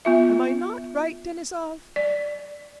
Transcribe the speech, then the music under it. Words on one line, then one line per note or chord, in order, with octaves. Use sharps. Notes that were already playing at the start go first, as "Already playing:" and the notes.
Am I not right, Denisov?
B3 F4 E5
D5